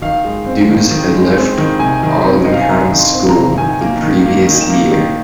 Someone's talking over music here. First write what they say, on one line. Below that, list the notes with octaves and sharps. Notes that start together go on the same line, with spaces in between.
Dewes had left Aldenham School the previous year.
D#3 F5
G#3
C4
D#3
D#3
G#3
C4
D#3
C3 G#5
D#3
C4
C3 D#5
F5
G#5
C3 A#5
D#3
C6
C4
A#5
C3
D#3 G#5
A#3
D#3
A#3
D#3
A#3
D#3